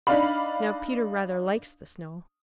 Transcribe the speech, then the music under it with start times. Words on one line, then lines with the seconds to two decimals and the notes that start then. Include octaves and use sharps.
Now Peter rather likes the snow.
0.07 D4 D#4 D5 F5 B5